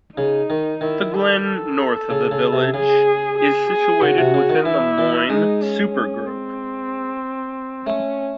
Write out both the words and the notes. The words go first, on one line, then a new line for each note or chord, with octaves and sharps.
The glen north of the village is situated within the Moine Supergroup.
C#3 D#4
D#3
D#3 E4
A4
A4
C#3
C#3
C3
C#3 G#4
G#4
G#4
C#3 F#4
C3
C#3
D#3
E3 E4
E3
G#3 D#4
C#4
C#4
C4
A3 C#4